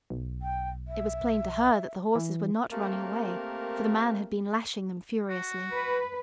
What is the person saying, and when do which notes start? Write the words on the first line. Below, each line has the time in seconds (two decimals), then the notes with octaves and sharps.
It was plain to her that the horses were not running away, for the man had been lashing them furiously.
0.10 B1
0.42 G5
0.88 E5
2.15 E3
2.71 A3 A#3 C4 G4 A#4
5.29 F#4
5.72 B4